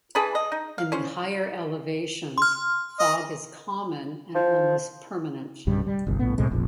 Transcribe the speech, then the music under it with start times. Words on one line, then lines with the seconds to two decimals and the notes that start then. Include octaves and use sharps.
In the higher elevations fog is common and almost permanent.
0.15 E3 G#4 A5 B5
0.35 D#5
0.52 D#4
0.78 F5
0.92 C#4 C5
2.38 C6 F6
2.99 D#5
4.35 F3
5.67 B1 G2 C#3 G3
5.87 G3
6.07 G1 C2
6.19 A#1 A2 B3
6.38 C2 A2 C3 G#3
6.51 F1 A#1